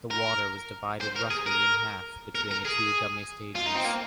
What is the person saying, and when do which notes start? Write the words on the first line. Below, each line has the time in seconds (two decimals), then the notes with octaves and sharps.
The water was divided roughly in half between the two dummy stages.
0.11 A#4
1.01 C5
1.16 A#4
1.30 G#4
1.46 A#4
2.35 A#4
2.51 A#4
2.65 G#4
3.55 F4
3.66 D#4
3.75 C4
3.85 A#3